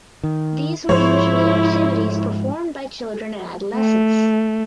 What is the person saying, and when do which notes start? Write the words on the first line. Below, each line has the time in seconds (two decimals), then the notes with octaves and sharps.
These were usually activities performed by children and adolescents.
0.24 D#3
0.89 G#2 F3 G#3 E4 C5 C#5
3.74 A3